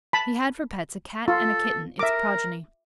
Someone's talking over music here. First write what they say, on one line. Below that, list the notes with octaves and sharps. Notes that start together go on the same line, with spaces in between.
He had for pets a Cat and a kitten, its progeny.
A5 B5
F4 A4
A#4 E5 D6